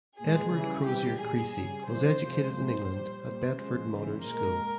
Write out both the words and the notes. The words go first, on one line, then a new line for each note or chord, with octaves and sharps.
Edward Crozier Creasy was educated in England at Bedford Modern School.
A#2 G#3 G#4
C#3 E3 G3
C3 G3 G4
A#2 G3 G#4
C#3 G3
C#3 E3 G3 C5
C3 F3 G#3
A#2 G#3 C5
A#2 G3
A#2 G3 C5
C#3 F3 G#3
C#3 E3 G#3
A#2 G#3 A#4